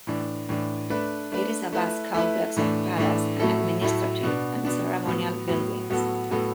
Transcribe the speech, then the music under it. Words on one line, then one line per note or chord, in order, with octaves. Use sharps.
It is a vast complex of palaces and administrative and ceremonial buildings.
A2 E3 D4
A2 E3 D4
A3 D4 B4
A3 D4 B4
A3 E4 B4
A3 E4 B4
A2 E3 A3 D4
A2 E3 A3 D4
A2 F#3 A3 E4 A4
A2 F#3 A3 E4 A4
B2 B3 D4
B2 B3 D4
A2 F#3 B3
A2 F#3 B3
A2 F#3 B3 F#4 A4
A2 F#3 B3 F#4 A4